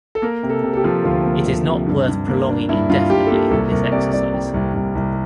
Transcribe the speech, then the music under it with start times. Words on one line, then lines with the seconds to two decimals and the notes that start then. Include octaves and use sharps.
It is not worth prolonging indefinitely this exercise.
0.15 A4
0.22 A#3 A#4
0.43 C3
0.49 A4
0.63 C3
0.73 A4
0.77 G4
0.84 F3
1.04 D2 F4
1.25 A#3
1.46 D2
1.67 C3
1.87 G2
2.08 G2
2.28 A#3
2.49 D4
2.69 G2 E4
2.90 G2 F4
3.10 G2 G4
3.27 A4
3.30 A#3 G4
3.51 C2 A4
3.71 C2 A#4
3.92 C3 D5
4.13 C2 D5
4.34 G3
4.54 C2
4.74 C2
4.95 C2